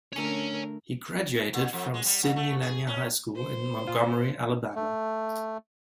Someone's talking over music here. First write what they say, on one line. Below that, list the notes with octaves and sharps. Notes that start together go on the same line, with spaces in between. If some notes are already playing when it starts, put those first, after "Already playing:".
He graduated from Sidney Lanier High School in Montgomery, Alabama.
D3 A3 A#4 C#5 G#5
A#2
F2
G#3
G3
G2
A3
G#4
C#4
C5
A#2 F4
A3